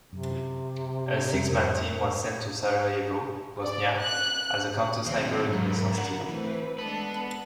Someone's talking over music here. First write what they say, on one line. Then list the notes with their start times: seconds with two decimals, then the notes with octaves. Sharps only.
A six-man team was sent to Sarajevo, Bosnia as a counter-sniper reconnaissance team.
0.12 F#2 C3
1.33 F2 G3 A#4
3.64 D5
4.00 F#6
5.05 D#2 B2 G#3 C4
5.48 G#2 F#3 A#4 B5
5.98 F#5
6.29 E3 A3 C4 B4
6.79 G#3 B3 D4 A4 B4